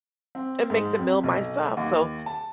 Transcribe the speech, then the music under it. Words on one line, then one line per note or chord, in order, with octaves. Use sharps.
and make the meal myself. So
C4
G#2
F2
B1
D#2
A5